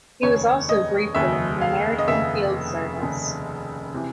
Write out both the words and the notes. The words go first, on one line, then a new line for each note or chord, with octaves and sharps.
He was also briefly in the American Field Service.
F1 D#2 C#3 C#5
D#5
F1 D#2 C#3 E5
F5
D#5
F1 D#2 C#3 E5
F1 D#2 C#3
C3 E3